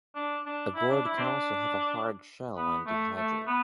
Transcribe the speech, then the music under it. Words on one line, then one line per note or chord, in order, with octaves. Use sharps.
A gourd can also have a hard shell when dehydrated.
D4
D4
E4
D4
E4
C4
D4
B3
A3
A3
B3